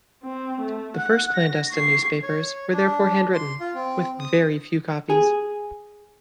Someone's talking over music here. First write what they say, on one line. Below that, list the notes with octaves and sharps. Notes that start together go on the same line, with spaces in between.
The first clandestine newspapers were therefore handwritten with very few copies.
C4
A3
F#5 F#6
A#6
C#6 C7
C#5
D4
C6
F4
C4
D#6
G#4